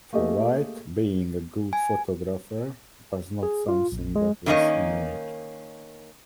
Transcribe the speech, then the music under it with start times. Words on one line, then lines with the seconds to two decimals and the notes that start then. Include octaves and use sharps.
For White, being a good photographer was not something that was innate.
0.13 A3 A#3 G4 G#4 D#5
1.73 G#5
3.43 G#4
3.68 F4
3.92 A#1
4.16 G#3
4.46 D3 D#3 A#3 C#4 D#4 D#5